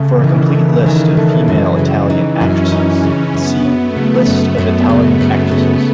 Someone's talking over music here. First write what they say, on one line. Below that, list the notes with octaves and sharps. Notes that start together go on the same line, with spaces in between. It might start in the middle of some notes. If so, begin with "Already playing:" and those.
For a complete list of female Italian actresses, see: List of Italian actresses.
Already playing: C#3 A3
E3
D#3
E3 A3
D#3
A3
F#2
C#3
D#4
F#2 C#4
D#4
C#3
F#2 B3
F#3
A3
C#3
F#2
F#2
C#3
F#2
C#3